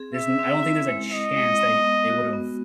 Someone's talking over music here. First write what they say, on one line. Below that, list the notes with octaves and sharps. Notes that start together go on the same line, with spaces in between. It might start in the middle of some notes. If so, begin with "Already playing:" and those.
There's n I don't think there's a chance that he it would have
Already playing: C4 G#4
C4 E5
C4
E4
G#3
G#3 D#5
G#3
B3
B3
F#4
B3